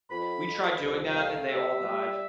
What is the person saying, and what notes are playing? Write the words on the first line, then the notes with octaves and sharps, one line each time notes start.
We tried doing that and they all died.
F2 B5
F2
C2
A3 F5
G3 E5
G3